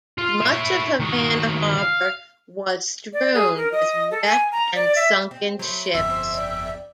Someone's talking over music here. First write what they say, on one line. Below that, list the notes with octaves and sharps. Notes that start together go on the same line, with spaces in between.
Much of Havana harbor was strewn with wrecked and sunken ships.
F4
E4 C#5
D#3 F#4
F5
D5
G#4
A#4
D#5
A4
G#5
A#5
D5
E5
C4
F#3 A3 B4 C5
G1 F2 E5 E6
C5
D5 G5